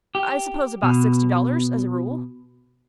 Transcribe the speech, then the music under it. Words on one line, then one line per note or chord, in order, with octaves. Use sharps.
"I suppose about sixty dollars, as a rule."
G4
B2